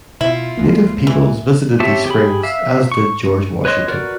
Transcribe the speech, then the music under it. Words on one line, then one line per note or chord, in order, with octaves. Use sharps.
Native peoples visited these springs as did George Washington.
B2 E4 F4
D2 G#3 A#3
E3
C4 G4 C#5 E5 A5
G4 G#4 B5
E5 F5
C#6
B4 C#5 D#5 C6
F#4 A#4 B4 D5